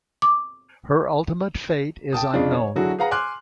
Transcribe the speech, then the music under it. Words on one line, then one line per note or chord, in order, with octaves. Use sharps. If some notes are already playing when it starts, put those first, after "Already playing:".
Her ultimate fate is unknown.
D6
G5 A5 D#6
F2 C#3 D4 F4
C#5
D3 F#3 E4 F#4 G#4 A4
G#4 B4 F5 F#5 A#5
G#5 C6 D6 F6 F#6